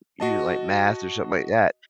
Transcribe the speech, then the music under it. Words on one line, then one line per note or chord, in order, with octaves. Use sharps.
you like math or something like that
F#4 D#5 A5